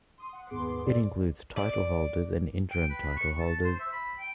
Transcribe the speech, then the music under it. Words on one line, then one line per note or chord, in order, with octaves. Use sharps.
It includes title holders and interim title holders.
C6 D#6
F#5
D#2 G#2 B3 G#4 C6 D6
A4 D5
D5
G5
B4
C#6
A5
C5
E5
B5
G5